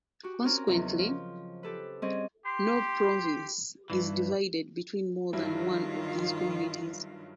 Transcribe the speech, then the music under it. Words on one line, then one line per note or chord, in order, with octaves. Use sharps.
Consequently, no province is divided between more than one of these communities.
F#4 G4
C4 C#4 A#4
E2 C#3 F#3 C4 D#4
F3
G4 A4 B4
G3 C4 C#4 G#4 D#5
G4 C6
G2 E3
G2 D#3 F#3 E4 F4